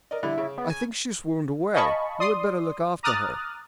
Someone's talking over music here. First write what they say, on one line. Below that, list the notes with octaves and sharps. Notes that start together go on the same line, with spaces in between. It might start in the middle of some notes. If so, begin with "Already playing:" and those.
'I think she swooned away; you had better look after her.'
A#4 D5 D#5
D3 G3 E4
C#3
B3
G#5
D#5 F5 G#5 A5 B5 C#6
D5 C6 D#6
A#5 D6 D#6 F6 F#6 A6